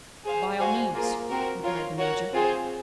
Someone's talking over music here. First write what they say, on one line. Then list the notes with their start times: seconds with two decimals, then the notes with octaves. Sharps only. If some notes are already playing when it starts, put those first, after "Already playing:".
"By all means," replied the major.
0.25 G#4 C5 F5
0.59 F#4 C5 F5 G#5
0.95 A#3 F4 G#4
1.29 C4 F#4 A#4
1.63 F4 A#4 C#5
1.97 F#4 A#4 C#5 F#5
2.33 C4 F4 G#4 C5